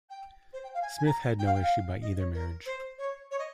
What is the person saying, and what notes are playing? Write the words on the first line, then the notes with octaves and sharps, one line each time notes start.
Smith had no issue by either marriage.
G5
C5
G5
F5
G#5
G#5
A#5
G5
F5
G5
F5
D#5
C#5
A#4
C5
C#5
C#5
D#5